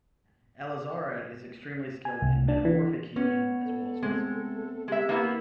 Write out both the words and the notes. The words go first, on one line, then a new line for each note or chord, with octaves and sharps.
Elizara is extremely skilled in metamorphic healing as well as physical.
G#5
C2
D4
E3
B3 C#4
A4
G#3 A3 C4
G#3 G4 E5
A#3 B3 E4